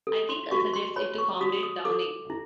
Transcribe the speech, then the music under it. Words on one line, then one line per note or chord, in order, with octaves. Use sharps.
I think I'll suggest it to Comrade Downing.
A4
C6
F#4 C#6
C6
C#5 B5
C#6
F#4 D#6
D#6
A4 D6
E4